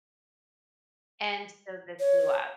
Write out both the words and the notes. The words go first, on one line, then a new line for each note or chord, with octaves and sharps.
And so this blew up.
C#5